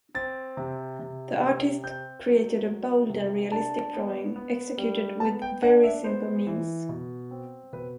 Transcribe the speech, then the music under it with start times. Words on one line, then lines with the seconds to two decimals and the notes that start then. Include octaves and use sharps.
The artist created a bold and realistic drawing, executed with very simple means.
0.15 C4 A6
0.57 C3
0.99 C3
1.41 C3
1.83 C4 G6
2.26 F#3
2.68 F#3
3.10 C3
3.52 D4 A5
3.93 B3
4.36 B3
4.78 G3
5.20 B3 A5
5.42 G5
5.62 D4 F#5
5.84 E5
6.04 B3 C5
6.47 E3
6.89 B2
7.31 C4
7.73 B2 B4